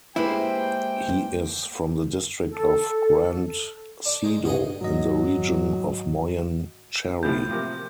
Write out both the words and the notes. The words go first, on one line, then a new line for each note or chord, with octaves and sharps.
He is from the district of Grande Sido in the region of Moyen Chari.
G#3 A#3 E4 G4 G#4 B4 C5 G5
A4
D5 A5
G#2 G#3 D#4
G2 F#4 G#4 D#5
G#2 D#3 F#3 D#5
F#2 A2 F3 G6
C3 F3 A#3